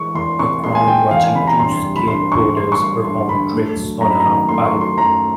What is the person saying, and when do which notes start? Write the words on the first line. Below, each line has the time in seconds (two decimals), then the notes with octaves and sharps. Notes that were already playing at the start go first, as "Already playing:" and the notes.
A crown watching two skateboarders perform tricks on a half pipe.
Already playing: E3 G#3 C#6
0.15 E2 C6
0.39 C3 C#6
0.64 G#3 C6
0.75 G#5
0.87 E3 G5
1.11 E2 F5
1.24 G#5
1.35 C3 B5
1.47 A#5
1.59 G2 C6
1.84 G3
1.96 B5
2.08 G2 C6
2.32 D3 C#6
2.56 G2 C6
2.72 C#6
2.81 G3 C6
3.04 G2 C6
3.29 D3 B5
3.53 A3
3.76 F#3
4.01 F#2 A#5
4.10 B5
4.20 A#5
4.25 D#3
4.49 A3 C6
4.65 C#6
4.74 F#3
4.81 C6
4.98 F#2 A#5